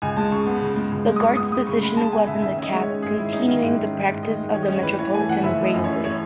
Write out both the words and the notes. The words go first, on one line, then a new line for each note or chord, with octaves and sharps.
The guard's position was in the cab, continuing the practice of the Metropolitan Railway.
C#2 G#5
G#3 A5
C#3 C#6
B3
C#3
G#3
C#2
G#3
D#6
G#3 C#6
B3 D#6
G#3 D#6
C#3 C#6
G#3 B5
G#3 A5
B3 G#5
C#3 E5
D#3 E5
C#4 E5
D#5
G#3
C#5
C#4
G#2 G#4
D#3 E4
C#4 D#4
D#3 E4
G#2
C#4
D#3
G#2
D#3 D#5
G#3
D#3 C#5
D#5
C#4 C#5
E3 B4
E3 C#5
A3 G#5
E3 F#5
F#1 E5
A3 D#5
F#2
C#5
E3
C#5